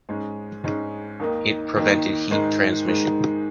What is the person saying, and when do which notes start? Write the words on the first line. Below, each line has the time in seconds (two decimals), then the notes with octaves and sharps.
It prevented heat transmission.
0.09 G#2 G#3 C#4
0.64 G#2 G#3 C#4
1.20 D#2 D#3 A#3 D#4
1.76 D#2 D#3 A#3 D#4
2.31 G#2 D#3 G#3
2.87 G#2 D#3 G#3